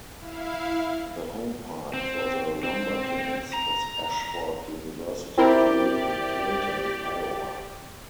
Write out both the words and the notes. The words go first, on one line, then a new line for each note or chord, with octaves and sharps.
The home park for the LumberKings is Ashford University Field in Clinton, Iowa.
E4 F5
C4
C4
A#5
C4 E4 G4 A#4 D5